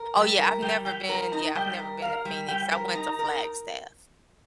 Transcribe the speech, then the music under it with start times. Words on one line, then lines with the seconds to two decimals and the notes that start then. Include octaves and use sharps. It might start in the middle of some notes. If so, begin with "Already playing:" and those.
Oh, yeah, I've never been yeah, I've never been to Phoenix. I went to Flagstaff.
Already playing: A#4
0.16 G3
0.39 A#4
0.62 G3 G5
0.85 G3 G5
1.09 A#4 A#5
1.32 D#4 A#5
1.55 G3 G5
1.79 A#4
2.02 A#4 F5
2.25 G3
2.48 G3 G5
2.72 A#4
2.95 D#4 A#5
3.19 A#4